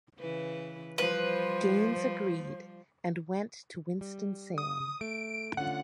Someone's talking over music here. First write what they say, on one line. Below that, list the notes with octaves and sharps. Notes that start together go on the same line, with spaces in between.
Gaines agreed and went to Winston-Salem.
C#3 E3 B4
F3 G3 B4 C5
G3
D#6
A3 D7
D3 C#4 F4 F#5